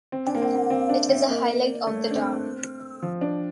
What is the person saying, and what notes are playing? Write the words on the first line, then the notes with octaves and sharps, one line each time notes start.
It is a highlight of the town.
C4
D4
A#3
C4
A#3
C4
D4
C4
A#3
A3
D4
C4
F3
D4